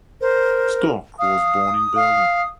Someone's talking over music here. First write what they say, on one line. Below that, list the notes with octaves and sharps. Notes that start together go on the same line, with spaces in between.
Storck was born in Berlin.
A#4 C5
F5 D#6
F5